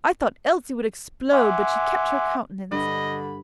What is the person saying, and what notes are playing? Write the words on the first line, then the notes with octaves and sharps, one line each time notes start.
I thought Elsie would explode; but she kept her countenance.
E5 F#5 G#5 C6 D6
G2 D3 D#5 B5